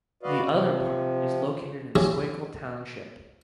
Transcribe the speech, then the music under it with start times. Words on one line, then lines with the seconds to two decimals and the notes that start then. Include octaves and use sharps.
The other part is located in Schuylkill Township.
0.23 F#4 B4 D5 D#5 F5
0.50 C3 F3
1.96 E4 G4 G#4 C#5 D5